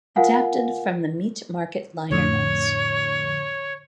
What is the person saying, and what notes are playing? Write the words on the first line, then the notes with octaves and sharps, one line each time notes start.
Adapted from the "Meat Market" liner notes.
F4 A#4 F5 F#5 G#5
F2 A2 D3 C#5